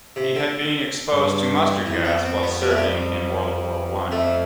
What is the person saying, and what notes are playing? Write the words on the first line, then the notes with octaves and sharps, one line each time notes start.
He had been exposed to mustard gas while serving in World War One.
C3
D3
G2
F2 E3
B3
C4
B3
G3
A3
G3
F2 A3